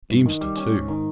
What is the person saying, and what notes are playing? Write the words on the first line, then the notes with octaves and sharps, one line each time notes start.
Deemster too!
G2
D#3
G3
C#4
G#2
D#3